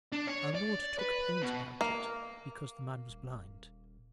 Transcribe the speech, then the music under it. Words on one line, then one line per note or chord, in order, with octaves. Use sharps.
Our Lord took pains about it because the man was blind.
D4
C#5
D5
B4
B2
A#3
D#1